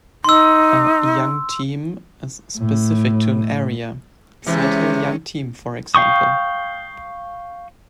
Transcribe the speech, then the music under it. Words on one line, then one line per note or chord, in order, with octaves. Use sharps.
A "Young Team" is specific to an area: "Sighthill Young Team", for example.
D#4 C6 E6
A2
C3 E3 G#3 C#4
F5 G5 C#6 D#6